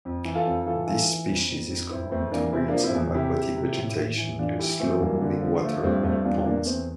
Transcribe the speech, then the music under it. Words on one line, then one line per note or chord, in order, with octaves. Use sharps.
This species is common to reeds and aquatic vegetation near slow-moving water or ponds.
F2
E3
F4 A4
F2
E3 F4 A4
E3 F4 A4
E3
F2
F2
F2
F2 C4 E4
F2 A3 C4
E3 A#3 D4
C3 C4 E4
F3 A#3 D4
C4 E4
E2
C3 E4 G4
C3
C3
A2
A2
E3
E3 D4 F4
E3 E4 G4
E3 A3 C4
G2 A#3
D3
F3
F3 A3
G2 A3 C4
G2 A3 C4
E2 D4 F4
E2 A#3 D4
E2 A3 C4